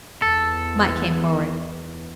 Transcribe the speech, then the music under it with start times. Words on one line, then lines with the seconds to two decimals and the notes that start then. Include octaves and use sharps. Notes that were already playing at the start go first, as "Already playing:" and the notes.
Mike came forward.
0.22 E2 A4